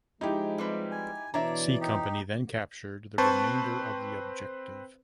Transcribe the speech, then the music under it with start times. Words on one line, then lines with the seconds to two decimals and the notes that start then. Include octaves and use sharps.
C Company then captured the remainder of the objective.
0.21 F3 G#3 D#4 E4 G4
0.58 G3 C4 B4
0.91 G#5
1.34 B2 E3 D4 C#5 D5 E5 A#5
1.81 D#4 G4
3.18 C4 B4 C5 A5 C#6